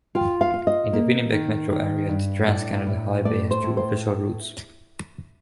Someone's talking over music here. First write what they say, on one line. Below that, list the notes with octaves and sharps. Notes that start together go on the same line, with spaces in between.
In the Winnipeg metro area, the Trans-Canada Highway has two official routes.
F4 G5
F5
F4
D#5
A#3
D#3
D#3
G2
A2 D5
A2
A3 D5
C5
A2
C5